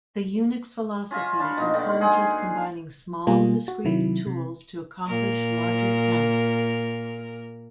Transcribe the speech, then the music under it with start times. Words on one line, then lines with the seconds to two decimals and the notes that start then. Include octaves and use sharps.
The Unix philosophy encourages combining small, discrete tools to accomplish larger tasks.
1.11 C#4 F4 E5 A#5
1.39 D4 A5 B5 C#6
1.57 B2 A#3 D#4
1.73 D3 D#3 D5 F#5
1.87 C6
2.01 G#4 C5 F#5 G#5
3.27 B2 G3 A#3 F4 G#4
3.68 F#4
3.85 C3 D#3 F#3 E4
4.27 C3
5.06 A#2 A#4